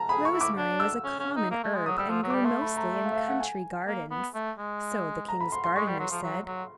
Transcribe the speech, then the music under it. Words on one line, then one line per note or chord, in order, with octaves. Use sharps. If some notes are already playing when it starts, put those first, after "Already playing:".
Rosemary was a common herb and grew, mostly, in country gardens, so the king's gardeners said.
Already playing: A5 A#5
G#4 B5
C#6
E4
D6
D4
E6
C#4
C#4
D#4
A#3
A3
G#3
F#3 D#6
G3 E6
F3
F#3
G3 D6
A3 C6
B5
A#5
E5
F5
E5
F5
F#5
G#5
A#3
B3
A3
G#3
A#5
B5
C6
C6
G#3 C#6
G3
F#3
F3
F#3
F#3